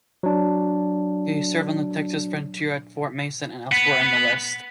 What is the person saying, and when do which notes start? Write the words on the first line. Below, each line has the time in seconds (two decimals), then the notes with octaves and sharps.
He served on the Texas frontier at Fort Mason and elsewhere in the West.
0.23 F#3 D4
3.72 B4 F#5